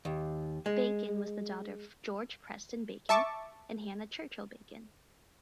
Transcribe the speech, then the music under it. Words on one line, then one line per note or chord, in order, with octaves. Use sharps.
Bacon was the daughter of George Preston Bacon and Hannah Churchill Bacon.
D#2
G#3
E5 A5 C#6 D6